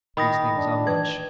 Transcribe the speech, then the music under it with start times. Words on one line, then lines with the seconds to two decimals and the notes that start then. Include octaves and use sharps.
These things are much.
0.17 D#3 B5 D#6 A#6
0.57 D4
0.87 E3 B4 G#6